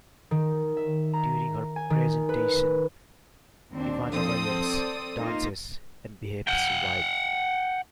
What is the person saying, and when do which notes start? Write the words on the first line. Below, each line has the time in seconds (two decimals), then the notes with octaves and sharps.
During her "presentation" Ivanova yells, dances, and behaves wildly.
0.31 D#3
0.77 E5
1.13 A#5
1.76 G#5
1.90 D#3
2.29 B4
3.73 D#2 C4 D4
4.12 F3 C4 A4 D#6
4.64 D5
5.17 A#3 D#4 F4
6.47 F#5 G5